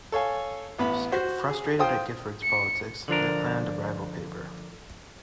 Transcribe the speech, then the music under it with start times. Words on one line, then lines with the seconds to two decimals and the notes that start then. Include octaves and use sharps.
Frustrated at Giffard's politics, they planned a rival paper.
0.12 A4 C#5 F5 G#5
0.78 A1 B3 B5
1.12 F#4 C5
1.49 G#4
1.79 F4 C5 G5 D#6
2.44 C#7
3.08 D3 F3 D4 A#4